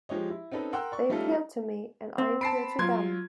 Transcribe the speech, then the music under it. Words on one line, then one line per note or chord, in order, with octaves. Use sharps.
They appeal to me and I appeal to them.
F3 G#3 G4 C#5 D#5
E4
C4 C#4 D#4 A4 B4
A#4 F#5 G5 C6 E6 F#6
D5 C#6
G3 A3 C#4 D#4 F4 A4
C4
A5 B5 C7 D7
F#3 F4 C6 G#6